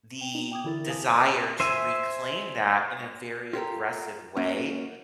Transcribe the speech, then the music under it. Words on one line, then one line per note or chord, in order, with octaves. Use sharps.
the desire to reclaim that in a very aggressive way.
G5
D4 D#4
G5 D6 D#6 G#6
D3 E3 E4 A#4 A6
F5 G#5 A5 D6 D#6
C5 E5 G#5
F4 G4 A4 A#4
A#3 C#4 F#4